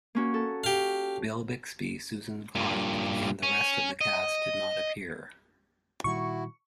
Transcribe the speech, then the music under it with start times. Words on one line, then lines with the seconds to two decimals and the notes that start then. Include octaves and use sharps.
Bill Bixby, Susan Clark, and the rest of the cast did not appear.
0.15 A#3 C#4 F#4
0.34 A4
0.64 G4 F5
2.55 G2 A#2
3.43 C#4
4.01 D#5
6.04 A#2 D#3 G3 E4 F#4 C#6